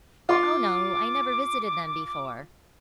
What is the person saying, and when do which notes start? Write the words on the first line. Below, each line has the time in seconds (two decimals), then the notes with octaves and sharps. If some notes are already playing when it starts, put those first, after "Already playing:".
"Oh, no. I never visited them before."
0.29 F4 C6 D6